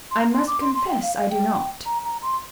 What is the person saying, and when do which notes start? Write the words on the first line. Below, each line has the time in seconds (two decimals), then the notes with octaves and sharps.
"I must confess I do not."
0.11 C6
0.19 A#5
0.34 C6
0.47 D6
0.61 C6
0.75 C6
0.89 G5
1.02 F5
1.16 F5
1.30 G5
1.86 A#5
2.04 A#5
2.22 C6